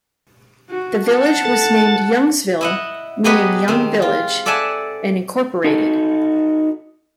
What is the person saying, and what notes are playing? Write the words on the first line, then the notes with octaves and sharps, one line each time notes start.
The village was named "Youngsville," meaning young village, and incorporated.
F#4
F#5 A5
A4
E4 D#5 F#5
F#3 G#3 B3 G4 B4 D#5
D#3 C4
F4
A4 D5 E5 F#5 G#5 A5
D#4 F#4 A4